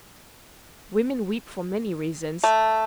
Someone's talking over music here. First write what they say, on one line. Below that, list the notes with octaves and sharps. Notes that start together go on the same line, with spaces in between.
Women weep for many reasons.
A3